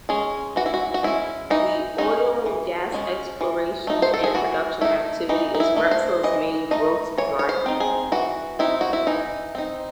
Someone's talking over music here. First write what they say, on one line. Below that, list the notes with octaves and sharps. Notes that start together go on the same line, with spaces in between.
The oil and gas exploration and production activity is Repsol's main growth driver.
G#3 C#4 G#4
E3 F#4
E4
F#4
F#4
G#3 C#4 E4
E3 D#4
G#3 C#4 D#4
E3
G#3 C#4
E3
A3 D#4
C5
A4
G#4
E3 F#4
A3 D#4 E4
E3 D#4
D#4
E4
A3 D#4
C5
E3 D#5
A3 D#4 D#5
E3 C#5
C#5
C5
C4 D#4
G#4
E3 F#4
C4 D#4 E4
F#4
E4
E3 D#4
C4 D#4